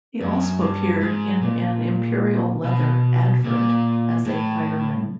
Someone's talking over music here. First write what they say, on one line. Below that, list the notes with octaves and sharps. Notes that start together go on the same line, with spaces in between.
He also appeared in an Imperial Leather advert as a fireman.
F#2
G2
G#2
A#2
B2
A#2
A2